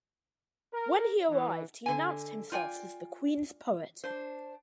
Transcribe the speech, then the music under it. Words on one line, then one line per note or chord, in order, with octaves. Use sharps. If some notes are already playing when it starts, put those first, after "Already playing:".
When he arrived, he announced himself as "The Queen's Poet".
A#4
E3
D3 G#5
F4 D5 G5 G#5
D4 C5